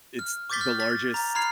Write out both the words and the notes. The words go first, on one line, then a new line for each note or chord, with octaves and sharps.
It's the largest
F6
C#6 D6 G6 A6 B6 G7
F6
A6 B6
A#5
A#5 B5 F6 G#6 C7 F7